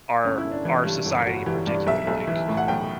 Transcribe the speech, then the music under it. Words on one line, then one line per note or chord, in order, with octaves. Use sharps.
our our society in particular like,
G1 C#4
E4
G1
D4
E3
G2
G1
G1 F#4
E3 G4
G2 D5
B1 E5
B1
E3
A2
F#5
B1 G5